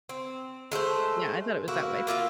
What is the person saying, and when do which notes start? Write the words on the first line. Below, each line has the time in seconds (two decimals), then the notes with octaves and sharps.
Yeah." I thought it was that way.
0.09 C4
0.72 G#3 A3 G4 C5
1.68 A#3 E4 F#4
2.07 A#3 F4 E5 F5